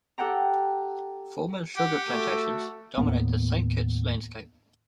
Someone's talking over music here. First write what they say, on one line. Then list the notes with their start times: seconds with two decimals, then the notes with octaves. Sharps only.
Former sugar plantations dominate the Saint Kitts landscape.
0.18 G4 A4 F#5 G5 A#5
1.76 G4 F#5
2.08 A3 F#4 A4
2.98 D#2 A2 A#3 B3